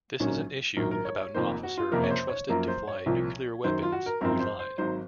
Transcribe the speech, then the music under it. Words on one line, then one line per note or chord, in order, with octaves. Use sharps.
This is an issue about an officer, entrusted to fly nuclear weapons, who lied.
A#1 G#2 F#3 A#3 C#4
A#1 G#2 D#3 F#3 A#4
A#4
C#5
C#5
F1 F2 D#3 A#3 C5
F#4
F4
F#1 F2 C3 F3 A#3 A#4
C#5
C5
C#5
F#2 F3 A#3 A#4
C5
C#5
C2 A#2 F3
F#2 D#3 F#3 C5
F4
F#4
A#4
G#1 F#2 F3 C4 A#4
C5
C5
G#1 G#2 F#3 C5